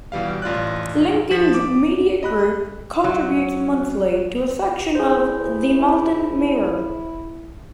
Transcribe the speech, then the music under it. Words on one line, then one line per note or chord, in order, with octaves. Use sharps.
Lincoln's Media Group contributes monthly to a section of "The Malton Mirror".
B2 E3 G3 F5
A1 F4 D5 F#6
F3 B6 E7
D6
D#5 B5 F#6
F#3
E4 G#4 C5
E4